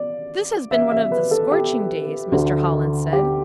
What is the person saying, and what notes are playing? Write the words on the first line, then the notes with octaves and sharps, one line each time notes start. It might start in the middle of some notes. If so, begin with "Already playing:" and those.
"This has been one of the scorching days," Mr. Holland said.
Already playing: D5
E5
E5
B4
A4
G4
D2 D3
G4